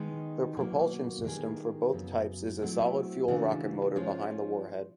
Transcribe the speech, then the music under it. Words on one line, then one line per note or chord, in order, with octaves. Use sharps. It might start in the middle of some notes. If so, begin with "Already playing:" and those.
The propulsion system for both types is a solid-fuel rocket motor behind the warhead.
Already playing: D#3 G#3 B3 D#4
B2 F#3 A#3
D#3 G3 B3 D#4 G#4
F#2 C#3 F#3 B3
B2 F#3 A3 C4 E4
C#3 E3 A3 D4 F#4
F3 G#3 C#4 F4